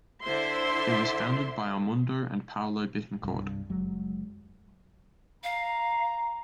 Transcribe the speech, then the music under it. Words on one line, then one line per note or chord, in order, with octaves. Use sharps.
It was founded by Edmundo and Paulo Bittencourt.
D3 E4 C5 E5 C6
C2 G2
F#1 F#3 G#3
F5 A#5